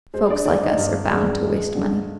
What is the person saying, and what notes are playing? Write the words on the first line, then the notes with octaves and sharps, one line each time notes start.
Folks like us are bound to waste money.
G#3 C5
D4 D5
D3 D4 D5
D#4 D#5
G2
G#3
G#3
D3